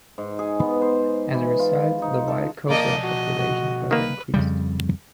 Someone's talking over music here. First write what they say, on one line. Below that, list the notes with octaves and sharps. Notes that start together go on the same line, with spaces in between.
As a result, the wild cobra population further increased.
G#2
G#4
B3
C5
E3
F4
D#4
A4
B2 F3 A#3 D5 D#5 A5
F#4 D#5
F#4
D#3 A#3 B4
F2 C#3 G3